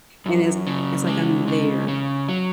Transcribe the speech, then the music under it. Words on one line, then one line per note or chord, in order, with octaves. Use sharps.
and it's it's like I'm there
F#2
C#3
G#3
C#3
C#3
F#3